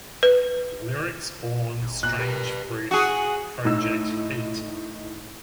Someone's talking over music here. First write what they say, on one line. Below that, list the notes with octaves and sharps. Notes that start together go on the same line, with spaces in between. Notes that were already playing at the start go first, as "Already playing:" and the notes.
Lyrics Born, Strange Fruit Project Feat.
B4
G#1
A#2 F#6
G4 A#4 B4
F#4 G#4
A2 D#4 E6